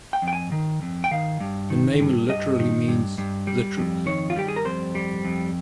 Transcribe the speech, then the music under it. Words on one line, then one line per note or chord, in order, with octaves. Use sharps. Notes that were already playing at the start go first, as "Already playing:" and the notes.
The name literally means "the truth".
G5
F2
G5
G#5
D#3
F2
G5
D#3 F5
G2
D#3
G2
G2 D#5
D#3
G2
G2
G3
F2
D#3 C#5
F4
G3 G4
G#4
A#4
F2 C5
G3
F2